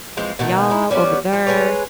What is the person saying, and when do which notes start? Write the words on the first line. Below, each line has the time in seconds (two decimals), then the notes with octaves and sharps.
"Y'all, over there."
0.17 E3 F3 G#3 C4
0.39 B2 D#3 A3
0.70 D#4 E4
0.91 G3 B3 C#4 F#4
1.33 F3
1.47 G#3 G#4 B4 C#5